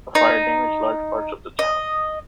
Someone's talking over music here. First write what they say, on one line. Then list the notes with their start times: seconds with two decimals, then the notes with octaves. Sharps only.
A fire damaged large parts of the town.
0.15 D#4
1.59 D#5